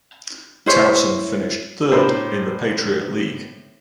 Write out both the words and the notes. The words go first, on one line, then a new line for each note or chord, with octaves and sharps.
Towson finished third in the Patriot League.
E4 C5 C#5
A2 D4 A#4 C5 B5